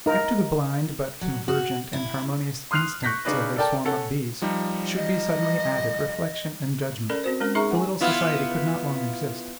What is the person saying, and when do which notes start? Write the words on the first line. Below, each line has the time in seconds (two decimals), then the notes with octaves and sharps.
If to the blind but convergent and harmonious instincts of a swarm of bees should be suddenly added reflection and judgment, the little society could not long exist.
0.06 D#4 A#4
1.21 F#3
1.48 F#4
1.93 E4
2.71 C6 D#6 F6 F#6 C7 F7
3.04 C#6 F#6 G6 A#6 B6
3.25 C#3 D4 D#4 B4
3.56 A4 A#4 D5 G5 A5
3.85 C#4 A4 F#5
4.42 F3 G3 D#4
4.96 D#5
7.10 C#4 A4 A#4 D5 B5
7.24 C4 F#4 C5
7.40 G#3 C#4 A#4
7.55 D#4 G#4 E5 A#5 C#6
7.71 F#5 G#5
8.01 B3 E4 F4